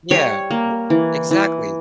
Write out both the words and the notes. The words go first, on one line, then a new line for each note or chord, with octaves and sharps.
Yeah, wo exactly.
G3 C#5
A#3
E3
E3